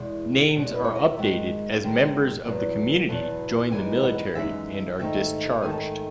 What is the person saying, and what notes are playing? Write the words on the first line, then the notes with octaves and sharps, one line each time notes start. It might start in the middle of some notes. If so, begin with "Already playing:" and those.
Names are updated as members of the community join the military and are discharged.
Already playing: E2 B2 G#3
E2 B2 G#3
B4
C#5
D#5
E5
G#2 D#3 G#3 F#5
G#2 D#3 G#3
E2 B2 F#3 B3
E2 B2 F#3 B3 A5
F#2 E3 G#3 D#4 G#5
F#5
F#2 E3 G#3 D#4 E5
G#2 D#3 A3 D#4 E5
G#2 D#3 A3 D#4 G#5
A5
G#5